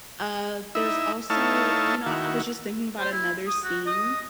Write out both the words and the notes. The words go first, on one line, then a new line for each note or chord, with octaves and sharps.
Uh, there's also you know, I was just thinking about another scene,
D#4 E4 E5
A3 D#4 E4 C#5 F5 A5
D#3 E4 F#4
C5
E4
D#6
F#4
D#5